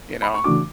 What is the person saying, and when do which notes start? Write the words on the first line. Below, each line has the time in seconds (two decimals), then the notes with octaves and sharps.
You know?
0.22 B5
0.34 C#6
0.44 C#3 E3 A3 D4 F#4 D6